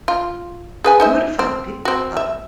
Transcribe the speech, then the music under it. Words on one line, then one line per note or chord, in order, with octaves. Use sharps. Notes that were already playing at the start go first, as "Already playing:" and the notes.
Beautiful, beautiful.
F4
G#4 B4 G#5
D#4 C5 E5
C4
C4 F#4
E5